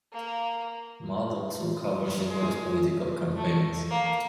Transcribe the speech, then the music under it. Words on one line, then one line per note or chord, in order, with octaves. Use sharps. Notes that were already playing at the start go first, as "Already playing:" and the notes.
Mudd also covered numerous political campaigns.
A#3
G#3
A3
A#3